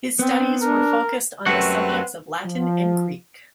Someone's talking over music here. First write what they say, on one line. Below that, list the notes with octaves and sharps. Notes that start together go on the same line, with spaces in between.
His studies were focused on the subjects of Latin and Greek.
B3 C4
D4 A#4
F#2 G3 A3 C4 F#4 B4 F#5
F3